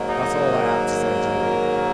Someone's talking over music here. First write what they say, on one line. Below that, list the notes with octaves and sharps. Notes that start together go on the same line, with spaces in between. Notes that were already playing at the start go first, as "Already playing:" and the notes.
That's all I have to say to you.
Already playing: G#2 D#3 F#3 A#3
D#4